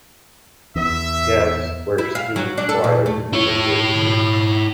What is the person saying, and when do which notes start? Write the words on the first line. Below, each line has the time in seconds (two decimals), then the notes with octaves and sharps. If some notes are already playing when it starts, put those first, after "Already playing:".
Guests were still required to be registered.
0.76 E2 E5
1.98 E4
2.15 F5
2.36 F#3
2.58 D4
2.69 A4
2.84 A#2
3.06 A3
3.33 E4 C#5